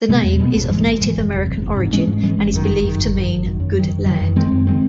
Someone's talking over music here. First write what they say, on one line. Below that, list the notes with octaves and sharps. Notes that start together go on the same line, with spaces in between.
The name is of Native American origin and is believed to mean "good land".
B2 G#3 B3
E2
B2 G#3 B3
A1
G#2 E3 G#3
A1
G#2 E3 G#3
F#1
E2 C3
F#1
E2 C3
G#2
E3 G#3 C#4
G#2
E3 G#3 C#4
G1
F#2 D#3
G1
F#2 D#3
G#1
F#2 D#3
G#1
F#2 D#3
F#2
D#3 F#3
F#2
D#3 F#3
F#2
D#3 G#3 C4
F#2
D#3 G#3 C4